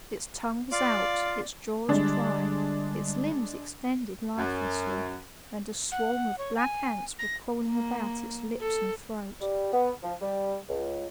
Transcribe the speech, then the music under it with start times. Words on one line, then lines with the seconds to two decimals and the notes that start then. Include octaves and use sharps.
Its tongue was out, its jaws dry, its limbs extended lifelessly, and a swarm of black ants were crawling about its lips and throat.
0.72 F4 D5 F5
1.88 D3 G3 G#3 D4
4.37 F#2
5.92 F#5
6.38 C#5
6.56 G#5
7.19 A#6
7.67 A#3
8.60 A4
9.41 G3
9.72 B3
10.02 F3
10.20 G3
10.68 C#2